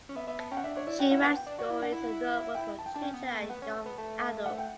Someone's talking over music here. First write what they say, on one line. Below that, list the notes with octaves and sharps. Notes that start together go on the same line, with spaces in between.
She writes stories and novels for children and young adults.
C#4
B3 E5
B3 E5
B3 A5
C#4 G5
F#5
D4 E5
D4 C#5
E4 D5
F#4 G5
E4 F#5
B3 F#5
G5
D4
F#4 D5
E4
D4 F#5
E4
G5
A5
G5
D4 A5
C#4 G5
B3
B3
A3
B3 F#5
C#4
A5
B3
A3 A5
A5
F#5
G5